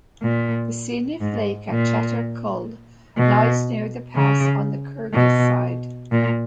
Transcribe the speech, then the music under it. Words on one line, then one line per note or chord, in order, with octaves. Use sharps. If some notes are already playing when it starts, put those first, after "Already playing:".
The scenic Lake of Chatyr-Kul lies near the pass on the Kyrgyz side.
A#2
G#2
A#2
B2
C#3
B2
A#2